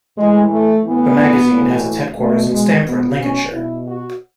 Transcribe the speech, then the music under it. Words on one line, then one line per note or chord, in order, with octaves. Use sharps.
The magazine has its headquarters in Stamford, Lincolnshire.
A2 E3 G#3
A3
A2 E3 B3
A2 E3
B2 A3
G#3
B2 B3
C#4
B2 E4
F#4